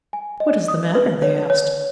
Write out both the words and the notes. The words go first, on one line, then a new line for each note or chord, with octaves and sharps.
"What is the matter?" they asked.
G#5
D#5
D#6
B4
C#5
C#5